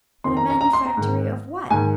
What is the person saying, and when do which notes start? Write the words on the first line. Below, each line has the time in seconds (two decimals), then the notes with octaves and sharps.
But a manufactory of what?
0.24 F2 D#3 C6
0.37 A#5
0.50 A#5
0.61 A#5
0.73 C6
0.86 A#5
0.97 G#2 D#3
1.70 G#2 D#3 G#5